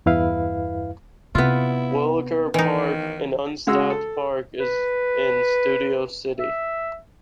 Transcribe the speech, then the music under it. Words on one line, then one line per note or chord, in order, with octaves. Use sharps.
Wilacre Park, an unstaffed park, is in Studio City.
E2 G2 E4 B4 F5
C3 B3 E4 F4
D#3 E3 D#4
C#3 G#3 F#4 G#4 E6
A4
B4
E5